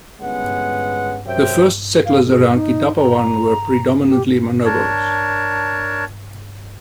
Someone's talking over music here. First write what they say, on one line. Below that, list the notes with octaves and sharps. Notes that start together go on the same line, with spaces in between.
The first settlers around Kidapawan were predominantly Manobos.
G1 G#3 B3 C#4 B4 F#5
F#2 C3 C5 C#5 E5 G5
F5
G#4
D#4
A#5
G4
D4 A#4 C#5 A5